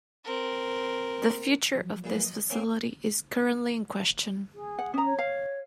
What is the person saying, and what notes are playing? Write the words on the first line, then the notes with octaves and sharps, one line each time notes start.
The future of this facility is currently in question.
C4 A#4
F3 F#3
A#2 G#3 B4
D#5
A#3 C4 C#4
G#4
F#5
C#4 A#5 D#6
C#5
F5